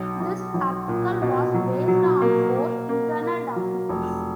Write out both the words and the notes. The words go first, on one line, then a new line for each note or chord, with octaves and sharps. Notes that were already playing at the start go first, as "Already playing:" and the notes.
This article was based on Ford internal documents.
Already playing: B1
B1
B1
A#2
B2
F#3
F#3
A#3
A#3
A#3
A#3
F#3
F1